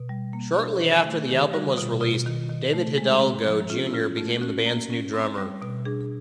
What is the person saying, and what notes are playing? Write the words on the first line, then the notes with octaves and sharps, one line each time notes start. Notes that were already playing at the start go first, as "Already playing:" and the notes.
Shortly after the album was released, David Hidalgo, Junior became the band's new drummer.
Already playing: B2
G3
A#3
D4
D#3 C5
A3
D#3 G4
G3 F#4
B2 F4
B2 F4
D#3
D#3
A3
G#3
C4
F3
C#4 F4
E4
C#4 F4
A3 F4
C#4 F#4
A#3
C#4
C4
G3
B2
D4 G#4